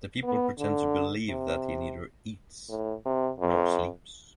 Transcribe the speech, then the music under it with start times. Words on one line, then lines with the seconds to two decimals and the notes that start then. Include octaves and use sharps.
The people pretend to believe that he neither eats nor sleeps.
0.24 B3
0.59 D3
1.29 C3
2.69 A2
3.06 C3
3.40 F2